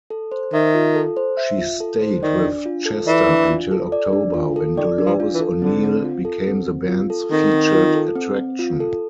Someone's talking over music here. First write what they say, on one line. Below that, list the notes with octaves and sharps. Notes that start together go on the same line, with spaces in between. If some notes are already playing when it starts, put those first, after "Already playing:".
She stayed with Chester until October, when Dolores O'Neill became the band's featured attraction.
A4
C5
D#3 E5
F4
A4
C5
E5
F4
A4
C5
D#3 D5
D4
F4
A4
E3 D5
D4
F4
A4
D5
D4
F4
A4
D#3 D5
D4
F3
F4
E3
A4
D3 C4
C4
F4
A4
C4
C4
F4
A4
D#3 C4
C4
F4
A4
C4
C4
F4
A4